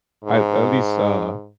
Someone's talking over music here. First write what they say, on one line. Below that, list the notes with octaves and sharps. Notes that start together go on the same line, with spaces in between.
I at least, uh,
G#2